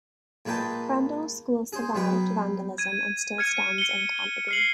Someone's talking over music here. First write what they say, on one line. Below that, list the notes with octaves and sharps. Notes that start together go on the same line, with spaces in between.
Crandall's school survived vandalism and still stands in Canterbury.
A#2 G#3 B4 G5 A5
G#4 C5
B2 F#3 B4 G5
G#6 D#7
F6 G#6 C#7 D#7
C#7 G7
G7
F6 C7 F#7